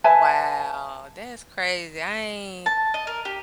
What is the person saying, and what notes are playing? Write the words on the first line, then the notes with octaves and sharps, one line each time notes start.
Wow. That's crazy. I ain't
B4 E5 G#5 A5
A5
D#5
A#4
G4